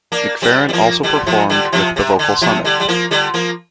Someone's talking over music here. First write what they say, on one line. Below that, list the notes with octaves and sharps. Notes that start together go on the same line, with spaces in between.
McFerrin also performed with the Vocal Summit.
A#3 D4
G3 C4
G3
F3 A#3
D3 G3
C3 F3
D3 G3
C3 F3
C3
D3
C3 F3
D3 G3
G3
F3 A#3
D3 G3
F3 A#3